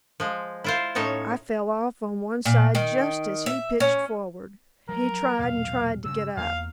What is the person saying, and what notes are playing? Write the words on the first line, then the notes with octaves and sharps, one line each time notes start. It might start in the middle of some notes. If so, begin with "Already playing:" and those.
I fell off on one side just as he pitched forward. He tried and tried to get up.
F3 G#3
E4 F4 C5
A2 C#4 D#4 C#5 A5
A#2
D#3
E5
C#4
F3 F#3 A#4
B1 E2 A#2 F5
G2 C#3 E6
E2 A3 A#3 F5